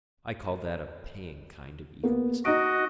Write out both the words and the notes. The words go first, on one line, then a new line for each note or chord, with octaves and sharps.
I call that a paying kind of egoism.
A#3 B3
D#4 F#4 D#5 D7